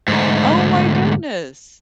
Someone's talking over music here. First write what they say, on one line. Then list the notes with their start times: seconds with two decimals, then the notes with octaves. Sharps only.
Oh, my goodness.
0.08 D2 G#2